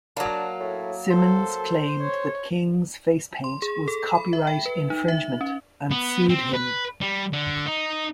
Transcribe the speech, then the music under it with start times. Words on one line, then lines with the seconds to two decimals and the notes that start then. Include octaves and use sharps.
Simmons claimed that King's face paint was copyright infringement and sued him.
0.17 F#3 A#3 D4
0.60 A2
1.11 A4 C5
2.01 C#5
3.44 C6
3.62 G#4
3.88 A4
4.15 B5
4.33 E5
4.47 G5
4.66 B4
4.90 D#4
5.08 E5
5.41 C#4
5.91 B3
6.29 C4
6.53 B4
7.01 G3
7.33 D3
7.67 D#4